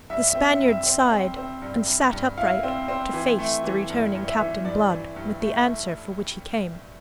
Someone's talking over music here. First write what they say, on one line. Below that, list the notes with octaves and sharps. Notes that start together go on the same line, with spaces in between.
The Spaniard sighed, and sat upright to face the returning Captain Blood with the answer for which he came.
G2 E5
E5
C4
E5
G2
E5
C4
C4
C4
G2
G2
G2
E4 F5
C4
C4
E3
A3
E3
G2
G2
E5
E3
G2 D5
E3
G2
A3